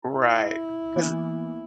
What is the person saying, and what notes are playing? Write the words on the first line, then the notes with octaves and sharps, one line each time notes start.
Right. 'Cause
E4
E3 A#3 B3